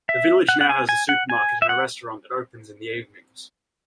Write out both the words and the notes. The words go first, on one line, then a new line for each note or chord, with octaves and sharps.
The village now has a supermarket and a restaurant that opens in the evenings.
E5
F#5
F#5
G#5
G#5
F#5
G#5
E5
F#5